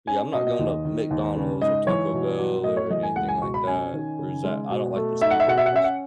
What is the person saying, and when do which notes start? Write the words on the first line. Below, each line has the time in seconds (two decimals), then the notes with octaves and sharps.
Yeah, I'm not going to McDonald's, or Taco Bell, or anything like that, or it's that I don't like the seed oils.
0.07 C#4 G#5
0.33 B2 D#5
0.47 D#5
0.59 D#2
0.85 D#3
1.11 D#2
1.36 C#3
1.61 G#2 D#5
1.87 E3 C#5
2.13 B2
2.38 F#3
2.64 A2 D#5
2.77 C#5
2.90 E3 D#5
3.03 G#5
3.16 C#2 F#5
3.28 G#5
3.42 B2 C#6
3.54 B5
3.67 C#4 G#5
3.93 D#3
4.19 C#3
4.44 G#3
4.70 B2
4.96 A3
5.21 D#4 E5
5.31 F#5
5.40 E5
5.47 B2 F#5
5.58 E5
5.66 F#5
5.73 C#4 E5
5.84 F#5